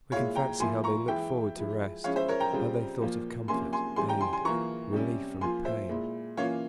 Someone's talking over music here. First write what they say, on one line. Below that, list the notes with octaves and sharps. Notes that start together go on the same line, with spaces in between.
We can fancy how they looked forward to rest; how they thought of comfort, aid, relief from pain.
A#2 G#3 E4 C#5 F5
G5 A#5
F3 A#3 E4 G#5 C6
A#5 C#6
E3 G#3 E4 E5 G5
F3 G#3 E4
F3 G#3 C#4 E4 C#5 F5
C5 E5
A#4 C#5
G5 A#5
C#3 G3 C4 F4
A#2 F3 A#3 F4
C3 F3 A#3 C#4 G#5 C6
G#5 C6
C#3 E3 G3 G#5 C6
G5 A#5
G#5 C6
G#5 C6
E3 A#3 F4 A#5 C#6
C3 G3 C#4
F3 A#3 F4 G#5 C6
C5 E5
A#2 G#3 E4
E3 A#3 C#4 F4 C#5 F5